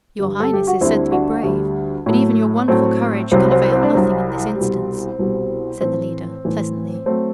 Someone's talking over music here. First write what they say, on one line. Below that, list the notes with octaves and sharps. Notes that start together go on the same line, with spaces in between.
"Your highness is said to be brave, but even your wonderful courage can avail nothing in this instance," said the leader, pleasantly.
G2 D3 G3
A4
G4
F#4
D2 D3 G3 C4 E4
D4 F#4
D2 D3 G3
A2 F#3 A3
A2 F#3 A3 C4
C2 C3 F#3 C4
C4
C4
D4
C2 C3 F#3 C4
C2 B2 G3
C2 B2 G3
A2 E3 A3 C4
A2 E3 A3
F#3 A3 C4